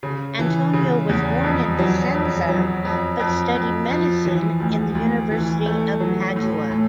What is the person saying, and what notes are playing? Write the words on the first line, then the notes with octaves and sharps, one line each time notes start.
Antonio was born in Vicenza but studied medicine in the University of Padua.
C#3
E3
C#3
E2
F2
F#3
F2
F#3
F2
F2
F2
F3
E3
D2
D2
E3
A3
F#3
A2
A2